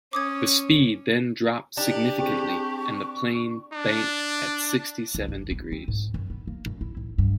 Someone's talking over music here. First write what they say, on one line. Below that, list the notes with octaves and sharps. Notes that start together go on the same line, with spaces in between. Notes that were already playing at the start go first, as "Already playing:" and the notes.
The speed then dropped significantly, and the plane banked at sixty seven degrees.
C#4 D6 D#6 G#6
D4 D#4 G4
C4 G#4 G5 C#6
D4
C#2
G1
B3
C4
G#2
F#2
B3
A#3
F#2
E4
A1
G2